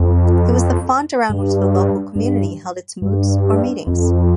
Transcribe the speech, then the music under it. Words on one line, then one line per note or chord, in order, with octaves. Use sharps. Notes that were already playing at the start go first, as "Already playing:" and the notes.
It was the font around which the local community held its moots or meetings.
Already playing: F2
G2
G2
G2
F2